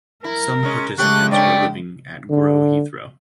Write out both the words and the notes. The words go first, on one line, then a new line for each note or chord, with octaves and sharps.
Some participants were living at Grow Heathrow.
E4 A#4
G#3 C#4
C#3 G#3 A3 G4 C#5 F#6
G2 A3 C#4 D5 G5
D3